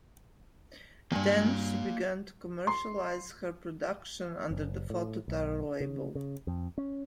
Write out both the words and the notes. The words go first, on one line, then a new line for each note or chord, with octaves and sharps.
Then, she began to commercialize her production under the Photo Taro label.
E2 G2 A#3 G#5
C6
F#1
A2
B1
C#3
C#3
F2
C#4